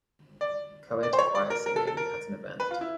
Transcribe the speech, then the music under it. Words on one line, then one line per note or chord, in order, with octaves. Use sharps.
Coed choir singing at an event.
D5
D5
C5
C#5
D5
A#4
A#4
A4
A4
A#4
B4
F4
E4